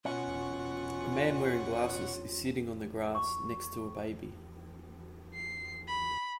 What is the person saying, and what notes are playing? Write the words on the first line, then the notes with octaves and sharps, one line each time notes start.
A man wearing glasses is sitting on the grass next to a baby.
B2 C#4 F4 F#5 C#6
C#6
C7
B5